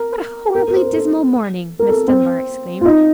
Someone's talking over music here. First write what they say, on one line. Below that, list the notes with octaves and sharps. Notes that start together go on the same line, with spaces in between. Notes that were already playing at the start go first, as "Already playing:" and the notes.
"What a horribly dismal morning!" Miss Dunbar exclaimed.
Already playing: A#4
A#4
A#4
C5
A#4
A4
A#4
A4
C4
F4
D#4